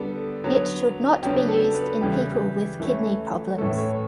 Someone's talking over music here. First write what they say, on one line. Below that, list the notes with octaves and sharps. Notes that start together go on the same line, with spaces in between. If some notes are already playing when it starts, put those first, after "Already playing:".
It should not be used in people with kidney problems.
Already playing: D3 G3 B3 D4 A4
D3 F#3 B3
C#3 F#3 B3 D4 G4
A4
B4
C#3 E3 G3 G4
E3 A3 C#4
A2 E3 A3 C#4 A4
C#5